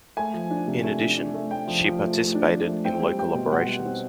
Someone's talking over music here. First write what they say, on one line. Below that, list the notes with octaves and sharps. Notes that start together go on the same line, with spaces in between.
In addition, she participated in local operations.
A3 G#5
F3
D4
C3
A3
D4
D4
A3
A3 G5
F3
F3
A3
A3
D4
F3
A3
C4 G5
G3
G3 G5
B2
G3 F#5
G3
C4